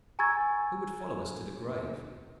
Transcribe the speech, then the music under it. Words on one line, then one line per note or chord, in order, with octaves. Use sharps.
Who would follow us to the grave?
G#5 A#5 C#6 E6 G#6 A6